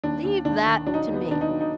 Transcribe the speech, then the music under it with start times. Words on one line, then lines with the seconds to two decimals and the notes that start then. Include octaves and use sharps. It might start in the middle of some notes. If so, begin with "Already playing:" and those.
"Leave that to me."
0.04 D#2 D4
0.24 D#2
0.45 D#2 D4
0.66 D#3
0.86 F#3 D4
0.94 D#4
1.02 D4
1.07 D#2
1.14 B3
1.28 D#3 D4
1.41 D#4
1.49 F#3
1.61 D#4